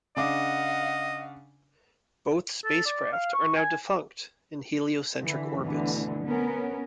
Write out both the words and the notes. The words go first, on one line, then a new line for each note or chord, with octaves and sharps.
Both spacecraft are now defunct in heliocentric orbits.
C#3 D4 D#5 F5 F#5 D6
A4
D5
F5
C#6
G#5
D3 E3
D2 B2 D3 E3
B3 C#4 A#4